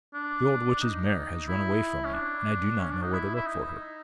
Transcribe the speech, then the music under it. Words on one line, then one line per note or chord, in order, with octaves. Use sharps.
'The old witch's mare has run away from me, and I do not know where to look for her.'
D4
D#4
E4
C#4
D4
C#4
D4
D#4
E4
E4
D#4